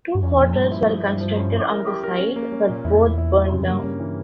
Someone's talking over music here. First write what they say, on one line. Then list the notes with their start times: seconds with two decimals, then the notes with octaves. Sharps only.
Two hotels were constructed on the site, but both burned down.
0.15 G2
0.23 F2 C#4
0.33 E2
0.39 A#2
0.45 F2
0.55 G2 F3
0.72 E4
0.88 F3
1.04 F3
1.21 F3
1.37 C#4
1.54 E4
1.70 A#4
1.87 G4
2.03 A#4
2.19 C#4
2.36 A#3
2.52 C#4
2.69 A#2
2.85 E2 E4
2.96 F2
3.02 E4
3.07 E2
3.18 E4
3.34 G3
3.51 F2 C#3
3.62 F2
3.67 A#3
3.73 G2
3.83 G2 C#4
4.00 E3